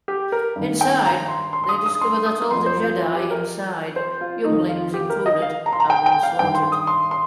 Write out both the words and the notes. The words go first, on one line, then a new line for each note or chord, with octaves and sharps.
Inside, they discover that all the Jedi inside, younglings included, have been slaughtered.
G4
A#4
G2 D#3
G5
A#5
C6
C6
C6
D#6
D#6
C6
D#6
F2 F3 C6
C5
F4
F4
G4
A#4
C5
F4
F2 D#3 D#4
F4
G4
A#4
D#5
F5
A#5
C6
A#5
G5
G5
F5
G2 D#3 G5
C6
D#6
C6
C6